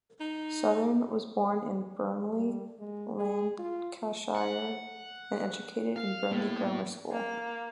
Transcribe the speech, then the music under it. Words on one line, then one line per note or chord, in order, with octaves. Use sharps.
Southern was born in Burnley, Lancashire and educated at Burnley Grammar School.
D#4
G3
G#3
G#4
F4
F#5
F5
A2 A#3 B3
A#3